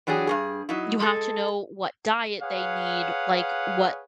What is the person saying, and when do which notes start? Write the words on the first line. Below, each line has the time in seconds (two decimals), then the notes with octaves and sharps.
you have to know what diet they need, like, what
0.07 E3 F#3 D4 G4 G#4
0.27 G2 C3 G#4
0.69 F#3 D#4 E4
1.00 G#3 A4
2.42 G#4 B4 C#5 F5 F#5